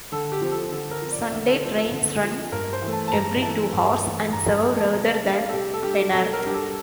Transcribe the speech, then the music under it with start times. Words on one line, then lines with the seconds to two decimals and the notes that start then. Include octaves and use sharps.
Sunday trains run every two hours and serve rather than Penarth.
0.12 D3 A4
0.32 G4
0.41 F3 C4
0.52 A4
0.71 D3 A4
0.91 A#4
1.02 F3 C4
1.12 D5
1.32 D3 E5
1.47 A4
1.61 F3 C4 C5
1.77 A4
1.92 D3
2.22 F3 C4
2.52 G2 A#4
2.73 C5
2.82 E3 A3
2.93 A5
3.08 A5
3.12 G2 A#5
3.42 E3 A3 A5
3.72 G2
4.02 E3 A3
4.33 G2 A#5
4.48 A5
4.62 E3 A3 G5
4.77 A5
4.93 C3 A#5
5.12 A5
5.23 G3 D4
5.32 F5
5.49 A4
5.53 C3 G4
5.73 A4
5.83 G3 D4 G4
5.93 A4
6.13 C3 A4
6.33 A#4
6.43 G3 D4 G4
6.54 A4